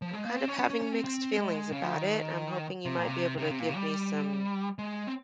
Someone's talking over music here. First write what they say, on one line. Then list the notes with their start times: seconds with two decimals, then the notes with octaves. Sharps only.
I'm kind of having mixed feelings about it. I'm hoping you might be able to give me some
0.02 F3
0.13 G#3
0.25 A#3
0.36 C4
0.48 C#4
0.59 C#4
0.70 C#4
0.82 C#4
0.92 C4
1.05 C4
1.38 G#3
1.72 C#3
1.83 F3
1.95 D#3
2.85 C3
2.97 A#2
3.08 C3
3.37 C3
3.42 C#3
3.51 C3
3.60 A#2
3.68 C3
3.76 G3
4.79 G#3
5.07 C4